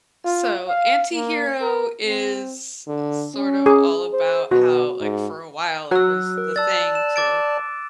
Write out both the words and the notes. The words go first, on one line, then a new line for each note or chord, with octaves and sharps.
So "Anti-Hero" is i sort of, all about how, like, for a while it was the thing to
F4
F5
A#3
A#4
C4
D3
C#4
G#4
C5
B2 F#4
G#2
F#3 E6 F#6
A#4
D5 A5 E6 A6
E7
D6 A6 D7